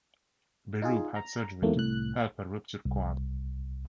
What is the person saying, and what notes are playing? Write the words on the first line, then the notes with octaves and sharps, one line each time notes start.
Berube had surgery to help her ruptured quad.
D#4 F4 G#4
A#5
E2 G#2 F#3 A3 A#3
C2 A2 F#6
C2